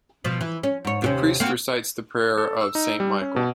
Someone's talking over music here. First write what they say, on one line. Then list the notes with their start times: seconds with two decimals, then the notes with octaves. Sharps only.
The priest recites the prayer of Saint Michael.
0.24 B2 F3
0.41 E3
0.63 C#4
0.85 G#2 C#5
1.02 D#2 C3 C#4
1.40 A#3 C4 F#4
2.38 A4
2.61 E6
2.75 D#4
3.00 G3
3.22 C#4
3.36 B2